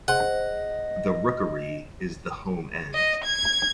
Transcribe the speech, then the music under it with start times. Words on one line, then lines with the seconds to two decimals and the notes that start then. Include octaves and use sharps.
The Rookery is the "home end".
0.08 G#4 C5 D#5 F#5
2.94 D#5
3.24 G#6